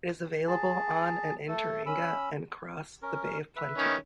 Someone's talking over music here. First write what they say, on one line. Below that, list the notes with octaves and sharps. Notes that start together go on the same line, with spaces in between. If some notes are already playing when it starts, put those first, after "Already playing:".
It is available on and in Tauranga and across the Bay of Plenty.
G#4 A5
A3 A4
C#4 B5 E6
C#4 A#4
B4 E5
D#3 C#4